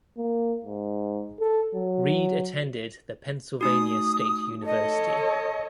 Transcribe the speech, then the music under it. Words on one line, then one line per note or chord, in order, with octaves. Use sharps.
Reid attended the Pennsylvania State University.
A#3
G#2
A4
F#3
A3 D#4 F#4 D#6
A4 C#5 D#5